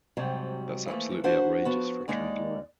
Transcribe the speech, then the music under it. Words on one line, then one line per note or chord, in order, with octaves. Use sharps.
That's absolutely outrageous for a trained lawyer.
G#2 C3 F#3 G3
E3 F3 A3 A#3
D4 F#4 C5 E5 F#5
F3 B3 F#4
D#2 G#3 D#4 D5